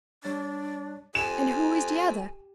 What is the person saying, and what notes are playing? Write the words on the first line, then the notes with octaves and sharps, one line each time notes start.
"And who is the other?"
G3 D4 C#5 A6
F2 G4 G#5 E7